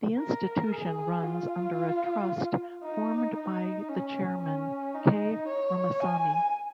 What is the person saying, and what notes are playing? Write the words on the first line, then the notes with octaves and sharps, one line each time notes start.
The institution runs under a trust formed by the chairman K. Ramasamy.
A#4
G#4
F4
D#4
D#4
C#4
C#4
D#4
C#5
G#5